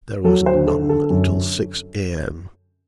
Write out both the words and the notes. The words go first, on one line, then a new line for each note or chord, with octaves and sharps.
There was none until six A.M.
F#3 A4
C5
D3
A4
D3
A4
F#2